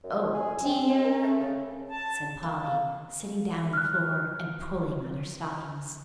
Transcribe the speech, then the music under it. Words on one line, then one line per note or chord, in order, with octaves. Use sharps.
"Oh dear!" said Polly, sitting down on the floor, and pulling on her stockings.
F#2
F2
G#4
C4
G#3
A#4
A3
C#3
A5
A#3
F6 F#6